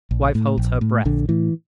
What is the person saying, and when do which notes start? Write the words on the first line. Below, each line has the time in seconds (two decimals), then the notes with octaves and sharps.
Wife holds her breath.
0.11 A#1
0.35 A2
0.58 A#1
0.81 A2
1.05 A#1 D3
1.29 A2 E3